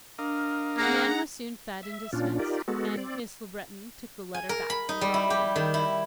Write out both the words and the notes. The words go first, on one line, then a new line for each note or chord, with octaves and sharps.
The man was soon feed and dismissed, and Miss Le Breton took the letter back to the drawing-room.
D4 A#4 D#5 F5
A#3 G#4 F#5 A#5
E5
A#2 C#4 D4 F4
D#4 F4 G4 A#4 D5
G#3 B3 F#4 A4
C4 D5
G#5
A#4
B5
D#4
G3
E4
G4
D#3
E4